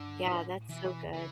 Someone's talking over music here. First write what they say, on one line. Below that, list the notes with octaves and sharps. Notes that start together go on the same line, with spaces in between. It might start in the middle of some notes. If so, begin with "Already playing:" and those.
Yeah, that's so good.
Already playing: G2 D3
A2
B2 E3
D3
C#3 E3